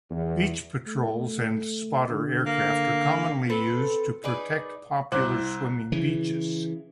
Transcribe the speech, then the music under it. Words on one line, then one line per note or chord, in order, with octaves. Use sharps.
Beach patrols and spotter aircraft are commonly used to protect popular swimming beaches.
E2
A3
D3
A#3
C4 A4 B4
D#4 G#4 B4 D5
C2 E4 C5 D6 F#6
C#3 E3